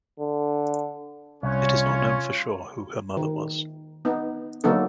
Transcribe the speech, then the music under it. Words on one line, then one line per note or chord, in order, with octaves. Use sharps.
It is not known for sure who her mother was.
D3
C2 C#4 F4 C#5
D#3
B3 D#4
D3 F#3 A#3 B3 D#4 A4